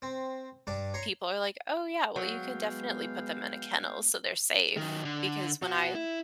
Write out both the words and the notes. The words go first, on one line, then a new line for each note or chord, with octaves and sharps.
people are, like, "Oh yeah, well you could definitely put them in a kennel so they're safe," because when I,
C4
G2 D4 D6
C#5 A#5 C6
F#3 G#3 B3 F5 G5
D#3 F#3
D3
B2 F#4
E4